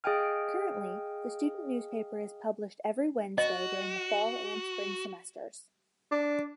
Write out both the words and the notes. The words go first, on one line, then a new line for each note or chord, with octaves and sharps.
Currently, the student newspaper is published every Wednesday during the fall and spring semesters.
G#4 D#5 F5 G5 G#5 F6
F#4 D#5
D4